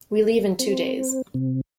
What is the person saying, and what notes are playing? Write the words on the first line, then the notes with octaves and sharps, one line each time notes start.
We leave in two days.
C4
C3